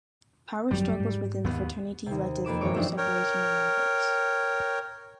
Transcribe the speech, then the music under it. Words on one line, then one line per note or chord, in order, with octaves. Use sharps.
Power struggles within the fraternity led to further separation of members.
G#1 F#2 F#3 G3
G#2
D#2 B3
D#2 C3
F2 A#3 B4 D6 E7
G#1 F#2 E3 C4 C#5 D6
D4 D#4 F4 G4 E5
A#4 C#5 G5